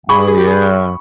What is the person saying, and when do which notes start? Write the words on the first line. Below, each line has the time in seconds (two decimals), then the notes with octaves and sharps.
Oh, yeah.
0.09 G#4 B5 C#6
0.28 G#4
0.38 G4
0.47 G#4